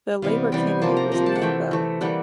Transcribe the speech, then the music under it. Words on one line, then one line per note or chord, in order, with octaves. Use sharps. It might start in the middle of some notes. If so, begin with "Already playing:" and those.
The Labor candidate was Neil Bell.
C3 E3 G3 B3 F5
C3 E3 G3 B3 G5
G#5
C3 F3 A#3 A5
A#5
C3 F3 A#3 A#5
A5
F#5
E3 A3 G5
E3 A3
E3 G3 A#3 F#5